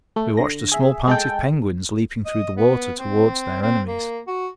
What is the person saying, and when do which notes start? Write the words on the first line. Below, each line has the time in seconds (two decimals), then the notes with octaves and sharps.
We watched a small party of penguins leaping through the water towards their enemies.
0.16 A3
0.37 D3 A#6
0.72 G#4 E5
1.07 G#3 A4 G5
2.25 D#5
2.57 B3
2.99 C4
3.62 C4
3.87 A#3
4.27 F#4